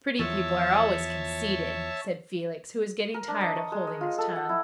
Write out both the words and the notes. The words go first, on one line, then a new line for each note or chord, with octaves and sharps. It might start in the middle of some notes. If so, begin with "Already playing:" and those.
"Pretty people are always conceited," said Felix, who was getting tired of holding his tongue.
E2 F3 C#5 E5 A5
A#4
D4
D#5
C#6
G#3
D#5
F4
A4
F#5
E4